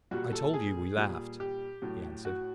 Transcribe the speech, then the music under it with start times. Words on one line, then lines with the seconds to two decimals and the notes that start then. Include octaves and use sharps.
'I told you we laughed,' he answered.
0.11 A#2 G3 F#4
0.33 A4
0.54 G#4
0.97 A#2 G3
1.40 G4
1.82 A2 F#3
2.25 F#4